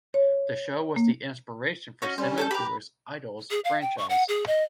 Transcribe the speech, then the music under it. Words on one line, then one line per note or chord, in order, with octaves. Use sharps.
The show was the inspiration for Simon Fuller's "Idols" franchise.
C#5
A#3
C#4 D#4 F#4
G3 C#4 C5
A4 A5 G6
G4 B4 A#5
G#4
F5
G5
C#6
F#5
G#4
D#5